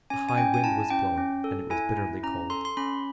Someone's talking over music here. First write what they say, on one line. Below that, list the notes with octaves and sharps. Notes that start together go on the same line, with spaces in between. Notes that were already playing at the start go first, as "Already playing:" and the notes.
A high wind was blowing and it was bitterly cold.
C#4 G#5
G#5
C#4 G5
G#5
E4 A5
C#4 G5
C#4
A4
E4 G#5
E4
C#4 A#5
A4 C6
C6
C#4 B5